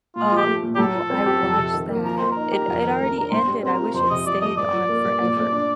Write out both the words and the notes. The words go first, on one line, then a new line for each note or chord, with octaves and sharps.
Oh, I watched that. It it already ended, I wish it stayed on forever.
A#2 F4
F3 G4
A3
A#2
G4
A2 A4
F3
C4
G4
F2
C3
D#3
A#3
F3 A#4
A#3 C5
A#4
D#4
G4
F2
D#3
A3
D4 A#4
A2 C5
G3
C4 C5
A#4
F4
F2 C5
C3 D#5
F3 D5
A3 D#5
G2 D5
F3
A#3
G2
A#2
A3
D4